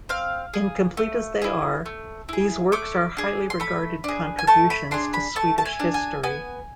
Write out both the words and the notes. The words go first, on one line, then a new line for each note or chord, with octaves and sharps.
Incomplete as they are, these works are highly regarded contributions to Swedish history.
C4 F5
G#4
A3
E4 G#4
A3
E4 G#4
A3 D6
D4 G#4
C6
A3 B5
D4 G#4
G#5
A3 A5
B5
D4 G#4 C6
B5
A3 A5
A5
G#5
D4 G#4
G#5
B3 G#5